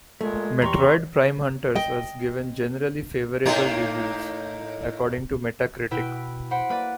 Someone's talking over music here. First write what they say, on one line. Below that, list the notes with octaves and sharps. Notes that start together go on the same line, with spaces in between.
"Metroid Prime Hunters" was given "generally favorable" reviews, according to Metacritic.
A#2 G#3 A3
E2 G4 A#5 C6 C#6
D#5 G5
A2 A#3 D#4
B2 E4 B4 G5 D7
C5 F#5 B5 D7
A#3 B4 D5